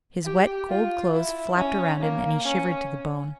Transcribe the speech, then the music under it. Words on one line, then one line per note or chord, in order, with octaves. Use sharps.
His wet, cold clothes flapped around him and he shivered to the bone.
G4
F4
E4
C#4
A#3
C#4